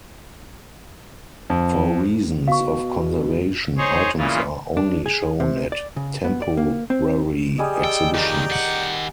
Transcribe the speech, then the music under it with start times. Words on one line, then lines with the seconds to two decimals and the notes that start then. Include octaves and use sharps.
For reasons of conservation items are only shown at temporary exhibitions.
1.50 F2
2.48 B2 F5 C#6
3.78 D#4 G#4 C5 C#5
4.18 A#2 C#3 E3 A#3 F4
4.77 D4
5.06 G#4
5.40 C3
5.72 D5
5.96 C#3
6.24 B3
6.42 D5
6.57 A#3
6.90 C4
7.58 G3 G#4 D#5
7.84 A4 G5
8.14 D#3 F3 D5 G5 A#5
8.50 D#3 F#5